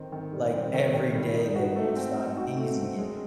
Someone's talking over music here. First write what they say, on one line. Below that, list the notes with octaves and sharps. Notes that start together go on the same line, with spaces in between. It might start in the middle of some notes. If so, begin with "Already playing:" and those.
like every day they won't stop teasing it.
Already playing: D#3 C4
D#3
G3
C4
D#3
D#3
G3
D#4
F#4
A3
C4
D#4
F#4
A3
C4
G#3